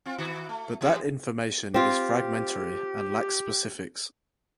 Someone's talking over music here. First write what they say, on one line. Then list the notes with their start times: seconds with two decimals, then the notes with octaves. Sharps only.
But that information is fragmentary and lacks specifics.
0.06 C4 F4
0.18 D#3 E4 F#4
0.49 A3
0.81 E3 G3 G#3
1.74 C4 F4 G4